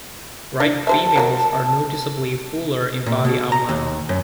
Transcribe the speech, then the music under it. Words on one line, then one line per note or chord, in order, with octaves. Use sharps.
Ripe females are noticeably fuller in body outline.
D4
G4 C5 E5 A5
F#3 G#3 A#3
A#2
B2
A#5
D#2
F#2